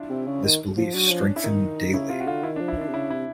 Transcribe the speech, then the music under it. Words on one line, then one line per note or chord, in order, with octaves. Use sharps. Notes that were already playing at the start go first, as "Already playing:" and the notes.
This belief strengthened daily.
Already playing: D4 E4 F4
C3
C#3
D#3
F3
F#3 D4
C#4
F3
D4
E4
D#3 D#4
C#3 E4
C3 F4
F#4
D3 F4
D#3 E4
D4
F3
E4
D#3 D4
C3
C#3 E4
C3 E4